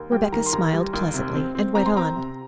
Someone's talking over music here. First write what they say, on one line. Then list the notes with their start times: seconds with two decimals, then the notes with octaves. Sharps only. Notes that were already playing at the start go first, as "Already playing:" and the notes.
Rebecca smiled pleasantly, and went on.
Already playing: D#2
0.12 G3 G5
0.32 D#3 A#5
0.46 C6
0.53 D#2 A#5
0.73 G3
0.93 D#2
1.14 C3
1.34 C4
1.55 C4
1.75 C4 A#5
1.86 C6
1.96 C4 A#5
2.16 C3